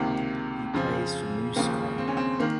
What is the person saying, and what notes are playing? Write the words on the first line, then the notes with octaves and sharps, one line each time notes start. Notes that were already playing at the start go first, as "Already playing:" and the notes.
He plays for Mouscron.
Already playing: C#2 C3 D#3 A#3
F2 C#3 F3
D#2 C#3 F3 A#3
C4
C#4
C4
D#3 A#3